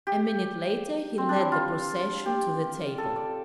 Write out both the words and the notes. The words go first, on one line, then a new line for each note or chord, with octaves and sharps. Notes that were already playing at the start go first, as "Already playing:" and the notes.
A minute later he led the procession to the table.
G4
C4
D4
E4
F4
G4
A4
D5